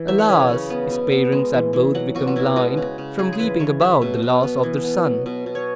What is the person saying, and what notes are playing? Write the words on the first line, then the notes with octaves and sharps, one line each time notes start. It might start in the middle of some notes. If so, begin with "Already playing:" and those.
Alas! his parents had both become blind from weeping about the loss of their son.
Already playing: E3
F#3 E5
C#5
C#3 B4
C#5
C#3
B3
B2
B3
G#3
E3
E3
F#3 F#5
B2 F#4
F#4
B2 E4
G#3 F#4
C#3
C#3
G#3 G#4
G#4
E3 B4
E3 C#5
F#3 E5
B2
B2
B3
E3
B3
F#3
B2
B2
C#5